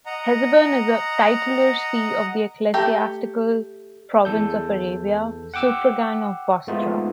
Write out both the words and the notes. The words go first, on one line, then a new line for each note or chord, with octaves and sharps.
Hesebon is a titular see of the ecclesiastical province of Arabia, suffragan of Bostra.
D#5 F#5 A#5
A3 G4 E5 A#5
E2 A4 G6
F#5 G5 D6 E6
G#2 A3 B3 D#4 F4